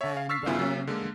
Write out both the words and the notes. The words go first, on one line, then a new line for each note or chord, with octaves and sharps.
and, um
C#5 E5
F5
C#6 E6 F6 A6 B6 C7
G2 D3 D#3 B3 E4 F4
F#3 A#3 C#4
D3 G#3 A#3